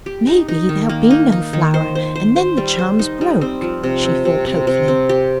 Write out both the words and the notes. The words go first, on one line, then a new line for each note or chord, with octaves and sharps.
'Maybe there'll be no flower, and then the charm's broke,' she thought hopefully.
G4
D#4
D#4
D#3
A#3
D#4
D#4
D#3
C5
C5
C5
C5
G3
C5
D#4
G3
C4
F3
C3
C4
C3
C3
C3
C4
G4